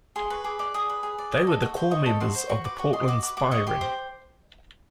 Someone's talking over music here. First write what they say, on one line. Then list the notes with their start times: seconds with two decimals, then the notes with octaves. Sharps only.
They were the core members of the Portland Spy Ring.
0.16 G#4 C6
0.30 B4 C#6
0.44 G#4 D6
0.59 D5 D6
0.74 G#4 D#6
0.89 B4
1.03 G#4
1.18 D5
1.32 D#5
1.47 A4
1.62 F#4
1.77 C5
1.91 D#5 C#6
2.06 A4
2.20 F#4 C6
2.34 C5
2.49 F#4 C#6
2.64 B4 D6
2.78 F#4 C#6
2.93 D#5 C6
3.08 F#4 D6
3.23 B4 D6
3.37 F#4 D6
3.51 D#5 C#6
3.67 G4 C6
3.81 C5